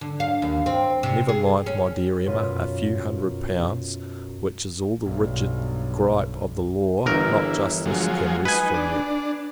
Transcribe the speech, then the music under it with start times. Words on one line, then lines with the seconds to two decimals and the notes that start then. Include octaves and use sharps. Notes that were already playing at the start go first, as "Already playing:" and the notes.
Never mind, my dear Emma, a few hundred pounds; which is all the rigid gripe of the law, not justice, can wrest from you.
0.01 D3
0.20 F5
0.42 D#2
0.66 C4
1.03 C3
1.29 G#4
1.66 C#4
2.26 F#2 B2 F4 B6 D#7
5.01 B1 G2
7.06 G1 E3 A#4
7.86 F3 F#3 G#3
8.45 D#4 B4 G#5
8.74 D4